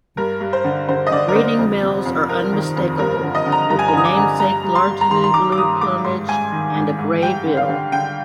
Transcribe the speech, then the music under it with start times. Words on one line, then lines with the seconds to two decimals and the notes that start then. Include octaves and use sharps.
Breeding males are unmistakable, with the namesake largely blue plumage and a grey bill.
0.17 G2 A#4
0.41 G2
0.53 C5
0.64 D3
0.89 D3 C5
1.07 D#5
1.11 D3 D5
1.28 A#4
1.35 D3 C5
1.59 F2
1.82 C3
2.05 F2
2.29 F2 A#4
2.53 D#3
2.76 F2
2.99 G2 A#4
3.23 D3
3.35 D#5
3.46 D3
3.52 A#5
3.69 G2 A#5
3.79 G#5
3.88 A#5
3.93 D3 D#6
4.05 D6
4.17 D3
4.40 G2 A#5
4.64 G2
4.75 C6
4.87 G2
5.01 A#5
5.11 D#3 C6
5.24 C6
5.34 D#3 D6
5.52 D6
5.58 G2 D#6
5.81 G#2 D6
6.04 G#2 C6
6.28 G#2 G#5
6.52 D#3
6.75 G#2
6.98 G#2
7.22 G2 G5
7.46 D3
7.57 F5
7.69 D3
7.92 D3 G5